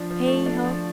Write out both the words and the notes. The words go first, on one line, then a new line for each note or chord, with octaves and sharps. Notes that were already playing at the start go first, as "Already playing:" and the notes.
Hey ho!
Already playing: F3 D4
F3
A3
D4
F3